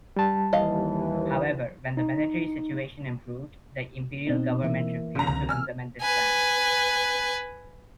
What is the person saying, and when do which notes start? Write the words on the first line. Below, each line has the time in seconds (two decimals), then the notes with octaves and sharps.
However, when the military situation improved, the imperial government refused to implement this plan.
0.16 G3 A5
0.53 D#2 E3 D#5 F5
1.97 D#4
4.27 B2 C4 D#4
4.62 E3 A#3 E5
5.15 F#1 C3 A#5
5.27 C#2 D3 A#5
5.49 G#5 E6 F6
6.01 B4 G#5